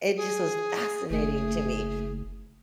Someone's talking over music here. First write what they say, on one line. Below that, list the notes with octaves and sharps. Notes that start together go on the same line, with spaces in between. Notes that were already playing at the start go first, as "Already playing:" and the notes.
it just was fascinating to me.
G#4
F#1 A3 G#4